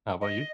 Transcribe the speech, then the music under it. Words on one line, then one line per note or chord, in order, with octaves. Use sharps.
How 'bout you?
D#5